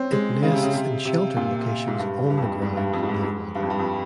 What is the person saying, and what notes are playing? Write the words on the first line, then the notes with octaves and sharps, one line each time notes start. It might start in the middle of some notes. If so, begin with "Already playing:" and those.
It nests in sheltered locations on the ground near water.
Already playing: C4 C#4
G#3
C#3
C3
C#3
C3
C3
A#2
G#2
G2
G2
F2
G2
G#2
G2
F2
G#2
G2
G#2
G2
F2
G2
F2